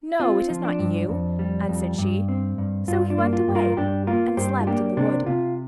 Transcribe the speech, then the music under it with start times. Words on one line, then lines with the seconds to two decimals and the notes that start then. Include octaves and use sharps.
'No, it is not you,' answered she, so he went away and slept in the wood.
0.20 C4 F4
0.50 F3
0.65 D4
0.79 G2
1.09 F2
1.39 G3
1.69 F2
1.98 G2
2.28 C4
2.58 G2
2.88 G2 F4
3.10 D4
3.18 A#3
3.33 F4
3.48 G2
3.55 F4 A#4
3.77 G2 D4 G4
4.07 A#3 F4 A#4
4.37 G2 G4 C5
4.60 F4
4.67 A#3 D4 G4
4.97 C3 D4
5.26 C3 F4